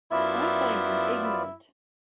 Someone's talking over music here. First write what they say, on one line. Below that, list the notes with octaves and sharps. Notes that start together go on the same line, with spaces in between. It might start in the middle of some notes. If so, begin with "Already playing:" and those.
I find him ignorant.
F#2 B3 E4 F4 D5 E5